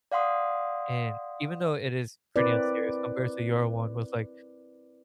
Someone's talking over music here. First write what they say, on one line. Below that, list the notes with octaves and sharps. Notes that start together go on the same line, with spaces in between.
and even though it is pretty unserious compared to your one with, like
D5 F5 F#5 C6 D#6
C4 E4 A#4 B4 D5